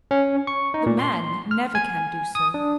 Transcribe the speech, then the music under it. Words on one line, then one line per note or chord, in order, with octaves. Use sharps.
The man never can do so.
C#4
C#6
D#4
A#2
C6
F6
G#5
D#6
D4